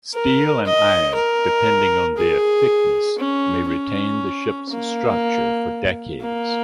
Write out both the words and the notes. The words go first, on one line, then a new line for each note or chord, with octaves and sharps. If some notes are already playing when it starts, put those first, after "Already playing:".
Steel and iron, depending on their thickness, may retain the ship's structure for decades.
A#4
D#5
A#4
G#4
C#4
C#4
A#3
A#3